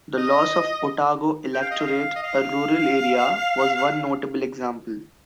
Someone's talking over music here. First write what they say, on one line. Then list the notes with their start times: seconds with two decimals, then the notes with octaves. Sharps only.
The loss of Otago electorate, a rural area, was one notable example.
0.17 D#5
1.53 G5
1.62 F5
1.71 D#5
1.79 F5
2.16 D#5
2.23 F5